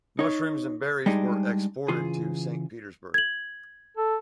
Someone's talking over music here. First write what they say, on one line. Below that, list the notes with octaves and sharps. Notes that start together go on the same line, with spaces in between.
Mushrooms and berries were exported to Saint Petersburg.
D#4 C#5
G3 G#3 D4 D#4 G#4
C#3 E3 F4 G#4
G#6 F#7
A4